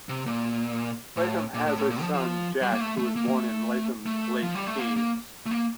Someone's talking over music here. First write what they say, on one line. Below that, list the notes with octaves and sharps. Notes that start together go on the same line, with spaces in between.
Latham has a son, Jack, who was born in Latham's late teens.
C3
A#2
A2
A#2
A2
A2
A#2
F3
F3
G3
A#3
A3
A3
A#3
A#3
A3
A3
F3
G3
A3
A#3
A#3
A3
A#3